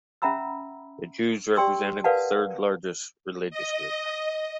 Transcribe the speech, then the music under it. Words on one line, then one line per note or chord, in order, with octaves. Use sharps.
The Jews represented the third largest religious group.
C#4 E5 F#5 A#5 B5 E6
G4 D5 G5 C6 E6
A#4 B4 D5 F5 F#5 A5
D#5